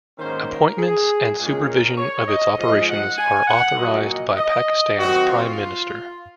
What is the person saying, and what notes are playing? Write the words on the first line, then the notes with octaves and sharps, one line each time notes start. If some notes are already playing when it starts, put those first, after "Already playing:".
Appointments and supervision of its operations are authorized by Pakistan's Prime Minister.
G#2 D#3 A#3 C#4 C5
A#4
G#4
A#2 G#3 C#4 G#4
A#4
C#5
D#5
G#2 F3 G#3 D#5
F#5
G#5
F#5
A#2 F#3 A#3 D#5
D#5
D#5
D#3 F#3 C4 F#4
F4